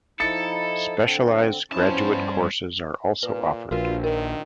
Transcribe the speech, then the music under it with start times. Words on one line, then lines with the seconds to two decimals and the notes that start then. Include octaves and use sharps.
Specialized graduate courses are also offered.
0.20 F3 D#4 E4 A4 A6 C#7
1.01 D3 C4
1.72 G2 F3 B3 C#4 E4 C5 A5
3.23 A#2 B4
3.71 A#1 F4 F#4 A#4 B4
4.04 D#3 A#4